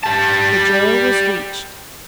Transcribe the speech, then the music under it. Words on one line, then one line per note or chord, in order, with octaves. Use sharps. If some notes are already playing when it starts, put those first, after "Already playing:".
The jail was reached.
G3 A5